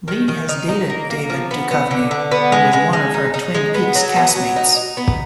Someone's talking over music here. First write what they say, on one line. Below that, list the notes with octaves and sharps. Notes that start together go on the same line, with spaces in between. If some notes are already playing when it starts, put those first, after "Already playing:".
Lee has dated David Duchovny, who was one of her "Twin Peaks" cast-mates.
D#3
D#3
D#4
D#4
A#3
A#3
F3
B3
B3
D3
D3
B3
G#3
G#3
G#3
D#4
D#4
G#3
B3
F#3
B3
F#3
D#4
D#4
B3